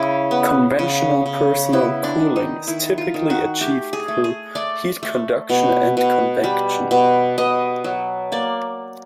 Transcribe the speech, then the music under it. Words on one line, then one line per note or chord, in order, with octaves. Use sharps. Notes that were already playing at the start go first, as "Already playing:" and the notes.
Conventional personal cooling is typically achieved through heat conduction and convection.
Already playing: C#3 E4
B3
C#3
C#3
B3 E4
D4
D#3
D#4
D#3 E4
F4
D#3
F#4
A3 G4
G#4
A3
G#4
A3 D5
A3
B2
B2
G3
B2
B2 D#5
F#3
A#3 D5